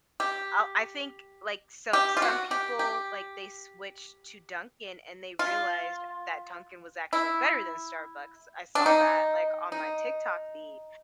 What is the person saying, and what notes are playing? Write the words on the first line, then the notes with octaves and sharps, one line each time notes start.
I'll I think, like so, some people, like, they switched to Dunkin' and they realized that Dunkin' was actually better than Starbucks. I saw that, like, on my TikTok feed.
G4
G4
F4
F#4
G4
G4
F4
E4
D4
D#4
D#4